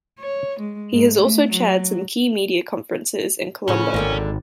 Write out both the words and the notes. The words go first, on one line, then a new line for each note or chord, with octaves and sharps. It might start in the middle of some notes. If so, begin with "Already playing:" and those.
He has also chaired some key media conferences in Colombo.
C#5
G#3
G#2
A3
F#3
A2 C#3 C#4 F#4
G#1 G#2 D3 A#3